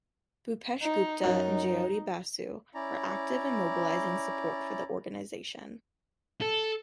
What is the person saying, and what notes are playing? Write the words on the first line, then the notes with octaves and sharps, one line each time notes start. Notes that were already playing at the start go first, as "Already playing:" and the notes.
Bhupesh Gupta and Jyoti Basu were active in mobilizing support for the organization.
D#4
F#2 D#4
C#4 E4 D5 A#5
A4